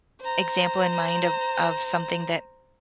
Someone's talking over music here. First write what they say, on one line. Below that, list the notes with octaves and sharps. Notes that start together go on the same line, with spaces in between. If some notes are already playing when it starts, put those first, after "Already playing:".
example in mind of of something that
C5 A#5